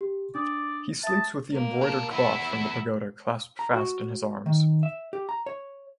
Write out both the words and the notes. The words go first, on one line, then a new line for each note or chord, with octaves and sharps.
He sleeps with the embroidered cloth from the pagoda clasped fast in his arms.
G4
D4 D5 D#6
E5 A5 D#6
A#3
D4 A4
E2 B3 E4
A#5
F#4
D#3
E5
G4
A#5
C#5